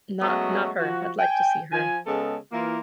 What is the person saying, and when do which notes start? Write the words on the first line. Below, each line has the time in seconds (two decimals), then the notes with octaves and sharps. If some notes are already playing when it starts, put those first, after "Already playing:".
not not her, I'd like to see her.
0.22 F#3 G#3 A3 B3 C#4 F#4
0.79 F3 F#4
1.19 G5 G#5
1.72 F3 G#5
2.06 C#3 G#3 B3 A4
2.52 E3 A#3 F4